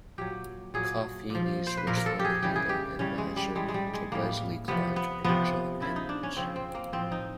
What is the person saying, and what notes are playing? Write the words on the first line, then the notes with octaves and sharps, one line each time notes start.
Kofinis was formerly an adviser to Wesley Clark and John Edwards.
A#2 F#3 G4
A#2 F#3 G#4
A#2 F3
C5
B4
A#2 F3 A#4
A#4
A4
G4
G#4
C#3 E3 G3 G4
G#4
G4
C#3 E3 G3 C#4
G#3
G3
A2 E3 G3 G#3
G#3
G3
G#3
A2 E3 G3 A#3
C3 F3 B3
B3
C3 F3 B3
C#3 F3 E4
D#4
D4
C#4
C#3 F3 C4
C4
A#3
A2 F3 C4
D#4